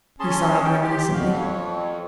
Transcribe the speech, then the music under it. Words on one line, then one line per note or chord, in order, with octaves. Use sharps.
He sighed reminiscently.
C#4 G#4 A5 C6
G5
G4 C6
F2 F#4 F5
C#5